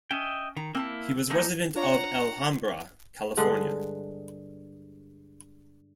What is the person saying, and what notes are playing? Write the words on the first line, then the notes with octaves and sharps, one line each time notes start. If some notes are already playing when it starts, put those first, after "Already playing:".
He was a resident of Alhambra, California.
C#4 D#5 E5 G5
D#3 A#5
A#3 C4 E4 A5
F3 A3 A#3 C4 D#4
D4 F4 C#5 F#5 A#5
G2 D3 G#3 F#5